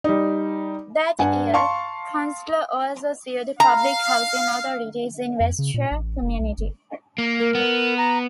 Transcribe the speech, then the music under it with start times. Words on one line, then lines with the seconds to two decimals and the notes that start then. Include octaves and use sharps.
That year Kunstler also sued public housing authorities in Westchester County.
0.04 G3 D#4
1.19 G2 F#5 G#5
1.54 F5 A5 C6 C#6
3.60 F5 A#5
5.40 F2
5.59 C#3
5.74 A#2
5.91 A1
6.22 F1
6.40 B1
6.58 G1
7.18 A#3
7.40 A#4
7.55 B3
7.97 A#5